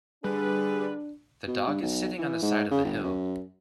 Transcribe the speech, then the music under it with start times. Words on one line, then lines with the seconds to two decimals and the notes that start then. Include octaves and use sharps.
The dog is sitting on the side of the hill.
0.24 D3 G3 D4 G#4 B4
1.47 B2
1.67 G2
1.82 B1
2.19 E3
2.42 G#2
2.71 C#3
2.84 G1
3.04 F#2